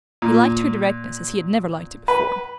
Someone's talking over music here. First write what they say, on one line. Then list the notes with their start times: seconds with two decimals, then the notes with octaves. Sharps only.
He liked her directness as he had never liked it before.
0.22 A#2
2.08 B4